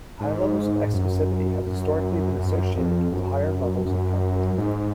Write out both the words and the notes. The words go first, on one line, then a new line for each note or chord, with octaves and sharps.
High levels of exclusivity have historically been associated with higher levels of conflict.
G#2
F#2
F#2
F#2
F2
F#2
F#2
G#2